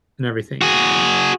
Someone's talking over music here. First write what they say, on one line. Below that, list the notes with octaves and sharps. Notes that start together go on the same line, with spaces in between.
and everything.
F#4 G#4